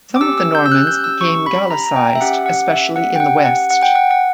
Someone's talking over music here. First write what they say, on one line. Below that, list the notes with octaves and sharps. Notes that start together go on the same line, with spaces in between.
Some of the Normans became Gaelicised, especially in the West.
D6
C#4 G4 E6
E6
G6
E6
F#6
G6
E6
C#6
B5
A#5
A#5
G5
E5
C#4 G4 F#5
F#5
E5
F#5
G5
F#5
F#5
F#5
G5
F#5
F#5